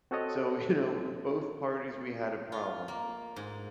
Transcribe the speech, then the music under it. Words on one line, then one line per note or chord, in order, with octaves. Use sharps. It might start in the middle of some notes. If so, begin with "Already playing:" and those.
So, you know, both parties, we had a problem
C4 F#4 A4 C#5 D#5
F4
A#3
G#2